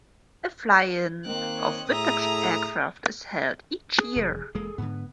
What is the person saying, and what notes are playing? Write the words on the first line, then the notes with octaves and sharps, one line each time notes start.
A fly-in of vintage aircraft is held each year.
D#3 A#3 C4 F#6
C#5 D#5
A2 G#4 E5 A#5 D#6
G#4
F1 E2
E1 G#3 A#3 G#4 A4
G#2 D3 B3